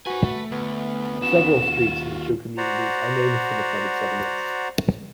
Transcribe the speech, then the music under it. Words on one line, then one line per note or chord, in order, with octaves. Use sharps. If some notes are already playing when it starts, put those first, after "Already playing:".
Several streets in the two communities are named for the flooded settlements.
F#4 B4 C5 G#5
A3
D2 B3
D#2 C#4 F4 F#4 E7
F#4 C5 D5 F#5 A#5